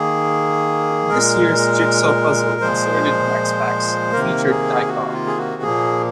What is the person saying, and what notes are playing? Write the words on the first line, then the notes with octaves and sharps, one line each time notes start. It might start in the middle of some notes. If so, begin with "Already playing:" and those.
This year's jigsaw puzzle inserted in wax packs featured Ty Cobb.
Already playing: D#3 A#3 G#4
A#2 G#3 A#4
A#2 F3 G#3 C5
C3 D#3 A#3 A#4
A#4
G#4
F#4
F4
G#4
F#4
A#2 F3 A#3 G#4